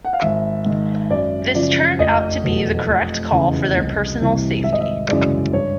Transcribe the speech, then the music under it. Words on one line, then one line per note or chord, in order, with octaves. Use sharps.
This turned out to be the correct call for their personal safety.
F#5
F5
G#1 E5
G#2 D#3
F#2 D5
C#3 F3 D5
F1 D#5
E2 B2 F#3 A3
F1
E2 C#3 E3
C2
C3 E3 G3
G#1 E5
D#5
E5
F#2 C#3 E3 G#3 D5
G2 C#5